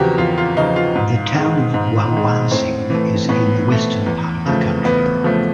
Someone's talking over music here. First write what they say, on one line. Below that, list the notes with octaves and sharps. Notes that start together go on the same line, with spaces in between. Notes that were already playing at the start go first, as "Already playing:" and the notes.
The Town of Wawarsing is in the western part of the county.
Already playing: E2 C#3 F3 F#4 G4 A#4
E2 F4
F4
C#3 F3 D#4
F4
G#2
D#3 G#3
G#2
D#3 G#3
A2 C4
E3 A3
A2 B3
E3 A3
E2
C#3 F3 A3
E2 B3
C#3 F3 A3